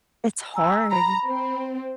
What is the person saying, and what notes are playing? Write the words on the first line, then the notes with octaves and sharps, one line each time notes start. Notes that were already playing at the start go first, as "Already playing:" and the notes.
it's hard.
G#5 A#5 E6
A#5 B5
C4